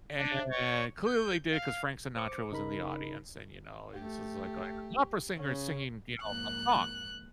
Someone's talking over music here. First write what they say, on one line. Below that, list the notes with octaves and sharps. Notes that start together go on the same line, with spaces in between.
and clearly they did it 'cause Frank Sinatra was in the audience and, you know, this was, like, an opera singer singing, you know, my song.
D4
C#5
G6
F5
C5 D6 C#7
C#3 D#4 A#4 B5
A3 G4
C#3 C#4
F2 G#2 A#3 F#6